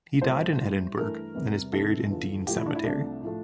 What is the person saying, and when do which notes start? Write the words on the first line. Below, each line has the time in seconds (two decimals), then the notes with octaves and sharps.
He died in Edinburgh, and is buried in Dean Cemetery.
0.22 C2 A#2 F3 A3 C5
0.59 A2 G3
0.97 G2 E3 A3 A#4
1.35 E2 C3 G3
1.72 D2 C3 E3 A3 A4
2.10 E2 D3 F3
2.47 A2 F3 A3 G4
2.57 E4
2.66 D4
2.75 E4
2.84 C2 C3 F3 A3 D4
3.22 A2 F3 A3